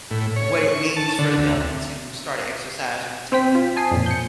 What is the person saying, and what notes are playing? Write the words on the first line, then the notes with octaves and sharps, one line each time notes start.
what it means for them to start a exercise routine,
A2
C#5
C#6
A5
D3
D2
C4 C5 G5 B6
F4
G#5 A5 D#6 C7
F2 A#2
G6 C#7